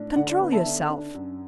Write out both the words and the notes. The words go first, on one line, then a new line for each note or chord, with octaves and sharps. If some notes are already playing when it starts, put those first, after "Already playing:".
Control yourself!
Already playing: A2 D4
D3 D5 F#5
A4 D5
B3 B4
E5 A5
D3
D4
F#2